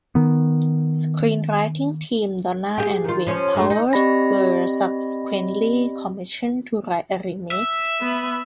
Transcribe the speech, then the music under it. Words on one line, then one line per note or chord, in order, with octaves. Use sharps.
Screenwriting team Donna and Wayne Powers were subsequently commissioned to write a remake.
D#3 B3
G4 G#4
D#3 F4
F3 C#4 C#5
G2 G#3 A3
D#4
C4 G4 D5 D#5 B5 A#6
E5
B3 B5